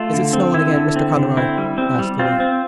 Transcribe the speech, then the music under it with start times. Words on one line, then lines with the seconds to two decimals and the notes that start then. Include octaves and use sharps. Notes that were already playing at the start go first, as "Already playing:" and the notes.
"Is it snowing again, Mr. Conroy?" asked Lily.
Already playing: A3 F4
0.13 D3
0.33 C4
0.54 D3 E4
0.75 D3
0.96 C4
1.16 D3
1.37 C4 E4
1.58 G3
1.78 C4
1.99 G3
2.19 C4 F4
2.40 C4